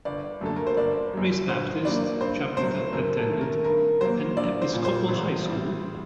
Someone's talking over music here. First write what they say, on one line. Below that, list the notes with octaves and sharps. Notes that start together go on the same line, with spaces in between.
Raised Baptist, Chapman attended an Episcopal high school.
G1 D5
F#2 D3 F#3 A3 A4
A#4
C5
G1 D5
F#2 F#3
G1 C5
G2 F#3 A#3 D5
G2 C5
F#3 A3 C5
F#2 A#4
A4
D#3 A3
A#4
G2 A#4
F#3 A#3 C5
A#1 D5
C5
A#2 G3
C5
A1
A2 G3